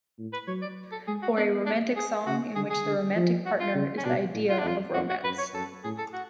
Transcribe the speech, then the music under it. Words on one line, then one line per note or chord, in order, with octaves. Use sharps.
Or a romantic song in which the romantic partner is the idea of romance.
A2
B4
F#3 C#5
D5
A4
G#3 G#4
F#4
B3 D4
D4
G#4
C#3 F#4
D3 G#4
G#4
D3
F3
F#4
F4
C#3
C#4
B2 D4
A2
F4
D4
F2 F4
F2 F#4
F#4
F#2 B4
C#5
F#2 A4
A2 G#4
A4
F#4